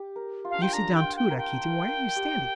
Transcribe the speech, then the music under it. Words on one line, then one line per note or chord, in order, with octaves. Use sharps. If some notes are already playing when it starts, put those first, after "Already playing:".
You sit down, too, Rakitin; why are you standing?
Already playing: G4
A#4
F4
D4 F5
F4 G5
D4 A#5
G5
F4
G5
A#4
G5
A#4
G4